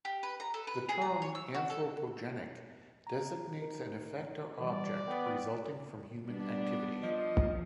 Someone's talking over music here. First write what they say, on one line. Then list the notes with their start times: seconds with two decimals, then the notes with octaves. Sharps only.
The term "anthropogenic" designates an effect or object resulting from human activity.
0.05 G4
0.23 B4
0.40 A#5
0.54 A4
0.67 B4
0.89 G#4
1.01 A#5
1.22 C#5
1.35 E6
1.54 F#4
1.70 A4
3.07 A#5
3.62 D#4 A#4
4.60 E3 G3 D5
5.08 B3 G5
6.25 G3 B3 D4
7.03 F3 D#5